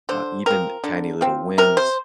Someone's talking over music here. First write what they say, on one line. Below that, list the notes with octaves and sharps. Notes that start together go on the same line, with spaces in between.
Uh, even tiny little wins
D3 C5
F3 C4 A#4
D3
F3 C4
C3 A#4
C5